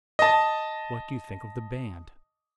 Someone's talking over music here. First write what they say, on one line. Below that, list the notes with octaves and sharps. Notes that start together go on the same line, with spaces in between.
"What do you think of the band?"
D#5 A5